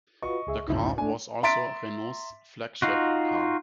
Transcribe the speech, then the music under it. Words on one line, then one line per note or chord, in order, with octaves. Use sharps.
The car was also Renault's flagship car.
F4 F#4 B4 D#5 C#6
C#2 G#4 E5
F#1 D2 A2 D#4 E4
A3 D4 G#5
E5 A#5 C6 A6 B6 D7
D#4 F4 F#4